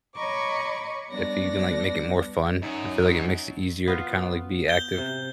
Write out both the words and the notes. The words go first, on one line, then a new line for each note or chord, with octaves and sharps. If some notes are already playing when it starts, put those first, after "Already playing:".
if you can, like, make it more fun, I feel like it makes it easier to kinda, like, be active
C#5 D#5 A#5 B5 C#6 D6
G3 B3 D4 D5 A#6
F#2 F#3 D#4
B3 F4
G6 G7
C3